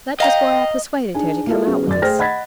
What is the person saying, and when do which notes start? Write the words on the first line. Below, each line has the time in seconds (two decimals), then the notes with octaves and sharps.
That was why I persuaded her to come out with us.
0.20 D#5 F5 G5 A#5 G6
1.15 D4 D#4 G#4 G#5
1.47 A#3 E4 F4 G#4 A4 E5
1.66 F#3 B3 C#4 G#4
1.87 F#2 D5 A6
2.02 A3 G#4 C5 G5 F6 A#6
2.18 D#5 F#5 B5 G#6 A6 B6